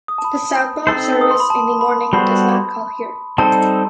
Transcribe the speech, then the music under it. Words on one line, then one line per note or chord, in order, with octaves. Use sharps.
The southbound service in the morning does not call here.
D#6
A5
B5
C4 D#4 A4 C5
D#6
C6
B5
A5
B5
G3 B3 F#4 A4 C5 B5
G3 C4 D#4 A4 C5 A5